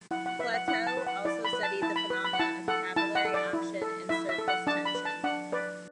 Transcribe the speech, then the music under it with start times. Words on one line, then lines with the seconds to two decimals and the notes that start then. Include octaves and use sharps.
Plateau also studied the phenomena of capillary action and surface tension.
0.11 E4 F#5
0.26 F#5
0.39 B4 E5
0.54 F#5
0.68 E4 F#5
0.87 A5
0.97 B4
1.07 F#5
1.25 E4 D5
1.45 B5
1.53 B4
1.63 A5
1.82 E4 A5
1.96 B5
2.10 B4
2.25 B5
2.33 F#5
2.39 E4 A5
2.68 A4 F#5
2.96 E4 A5
3.15 F#5
3.25 A4
3.34 D5
3.53 E4
3.82 A4
4.09 E4 E5
4.29 E5
4.38 A4
4.48 F#5
4.67 D4 A5
4.85 B5
4.95 B4
5.05 A5
5.24 D4 F#5
5.52 B4 D5